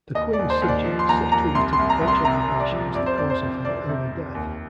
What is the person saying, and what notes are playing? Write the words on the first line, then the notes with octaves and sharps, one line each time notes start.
The queen's subjects attributed the French occupation as the cause of her early death.
D#2 D#5
D5
D#2
C5
D#2
D5
F3
C6
D#2 A#5
D#2 A#5
C2 C6
C6
C2
A#5
C2
C6
C3 A#5
C3
D5
F3
F2 D5
C5
F2 D5
C5
F2
C3 D5
C3
F2
D#2